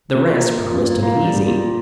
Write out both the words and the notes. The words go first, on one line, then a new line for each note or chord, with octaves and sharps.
The rest promised to be easy.
A#2
A#3
A#2
A#2
A#3
G3
A#2